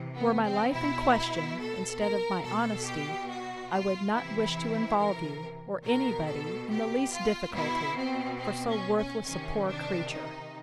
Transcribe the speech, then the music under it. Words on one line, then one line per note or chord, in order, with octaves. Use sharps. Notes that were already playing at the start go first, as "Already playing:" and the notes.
'Were my life in question, instead of my honesty, I would not wish to involve you, or any body, in the least difficulty, for so worthless a poor creature.
Already playing: C3 E3
B3
C4
B2 E4
A4
A#4
B2 A4
G4
F#4
F4
C3 E3 E4
A#4
B2 A#4
A4
G4
F4
B2 E4
C4
C4
C#4
C#4
C3 D#3 C#4
D4
D#4